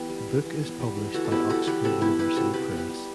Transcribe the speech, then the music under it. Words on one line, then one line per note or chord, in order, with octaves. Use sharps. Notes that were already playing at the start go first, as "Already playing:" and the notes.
The book is published by Oxford University Press.
Already playing: E3 B3 G4 B4
G3
E3
E3
B3
G3
E3
E3 F#4 A4
A4
B3 E4 G4
G3 F#4 A4
E3 G4 B4
C3 F#4 A4
B3 E4 G4
G3 G4 B4
C3 F#4 A4
C3 G4 B4
B3
G4 B4
G3